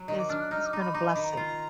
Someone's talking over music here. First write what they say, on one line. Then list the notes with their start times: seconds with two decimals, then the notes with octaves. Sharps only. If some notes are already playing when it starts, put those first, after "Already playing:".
It's it's been a blessing.
Already playing: F#3
0.08 D#3 D#5
0.19 D6
0.29 D4 F6
0.41 F#6
0.51 D#4 F6
0.66 D6
0.73 D#4
0.80 B5
0.94 D#4 D6
1.09 B5
1.15 D#3
1.23 A#5
1.37 F4